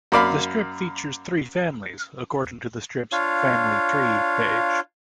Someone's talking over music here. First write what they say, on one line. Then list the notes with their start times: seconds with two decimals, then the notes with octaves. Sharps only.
The strip features three families, according to the strip's "Family Tree" page.
0.12 F#2 A#3 D5 F5 B5
3.12 D4 F4 C#5 F5